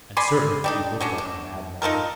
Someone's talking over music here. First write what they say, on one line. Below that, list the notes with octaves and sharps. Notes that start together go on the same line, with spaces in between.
And certainly he looked like a madman.
D5 G#5 B5 C6
G3 D4 D#4
F#3 C#4 D4
D4
D#4 F4 A4 A#4